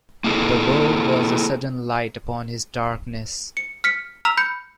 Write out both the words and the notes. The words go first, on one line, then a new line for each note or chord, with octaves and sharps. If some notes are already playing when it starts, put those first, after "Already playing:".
The word was a sudden light upon his darkness.
A#3 E4 G#4 A4
C#7
F6 B6 C#7
A#5 E6 F6 B6 F7
B5 G6 C#7